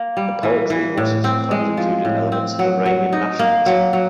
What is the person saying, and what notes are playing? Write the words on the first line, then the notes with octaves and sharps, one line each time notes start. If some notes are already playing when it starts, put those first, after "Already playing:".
Her poetry also sometimes included elements of Iranian nationalism.
Already playing: A#3
G3
E3
E3
A2
C4
G#3
F3
A2
C4
F#3
F#3
D#4
A#3
F#3
F#3